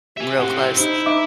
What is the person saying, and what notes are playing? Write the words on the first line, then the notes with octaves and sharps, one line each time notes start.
real close,
G4 E5 G#5
A2 C4 G4 F#5
D#4 E4 C5 E6
D#4 E5 D6